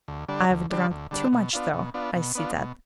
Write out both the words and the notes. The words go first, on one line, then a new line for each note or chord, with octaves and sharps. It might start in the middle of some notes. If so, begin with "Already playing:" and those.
I've drunk too much though, I see that.
D2
D3 G3 D4
D2
D3 G3 D4
D2
D3 G3 D4
B2
B3 D4 F4
B2
B3 D4 F4
B2
B3 D4 F4
B2